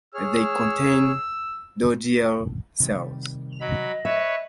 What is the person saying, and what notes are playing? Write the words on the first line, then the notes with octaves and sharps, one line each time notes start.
They contain Dogiel cells.
G#4 C#5 E6 F6
C3 D#3 G3
F#3 D#5 B5
B4 C#5 E5